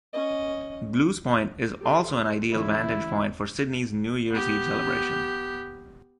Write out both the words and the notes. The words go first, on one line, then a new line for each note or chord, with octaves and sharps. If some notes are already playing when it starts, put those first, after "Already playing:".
Blues Point is also an ideal vantage point for Sydney's New Years Eve celebration.
C#4 D#5
G4 A4 C6
D2 E3 C#4 E4
B3 G4